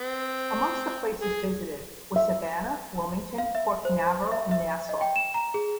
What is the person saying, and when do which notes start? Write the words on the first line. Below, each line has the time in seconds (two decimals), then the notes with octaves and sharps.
Amongst the places visited were Savannah, Wilmington, Port Canaveral and Nassau.
0.01 C4
1.22 G#4
2.16 E5
3.38 F5
3.55 E5
3.85 C5
4.32 E5
4.51 E5
4.89 D#5
5.01 G5
5.16 E7
5.34 A#5
5.54 G#4